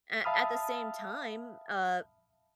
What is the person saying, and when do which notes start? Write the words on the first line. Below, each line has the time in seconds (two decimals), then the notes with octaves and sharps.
a at the same time, uh,
0.25 E5 F5 A5 B5 D#6 F6